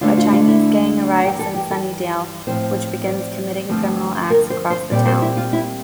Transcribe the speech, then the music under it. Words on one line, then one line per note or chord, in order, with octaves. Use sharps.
A Chinese gang arrives in Sunnydale, which begins committing criminal acts across the town.
D2 D3 A3 D4 F4
F4
F4
E4
G2 E3 G3 G4
A4
G4
A4
A2 F3 C4 E4 C5
D5
G2 D3 F3 A3 C4
A#4
C5
C5
A#2 G3 C4 D5
C5
E4
F4
E4